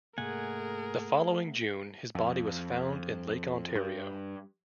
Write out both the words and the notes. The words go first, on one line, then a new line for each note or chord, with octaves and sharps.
The following June, his body was found in Lake Ontario.
G#2 C3 A3 A#3 G#4 A#4 F#5 G#5
F2
G2